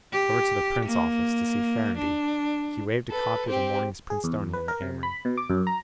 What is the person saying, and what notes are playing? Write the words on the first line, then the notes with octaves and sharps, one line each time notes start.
"Over to the Prince office to see Ferrenby," he waved a copy of the morning's Princetonian at Amory.
G4
A#3
D4
A4 B4
C4 G4
G#4
E2
B4
A#4
C3
B5
B2
D6
F#2
A#5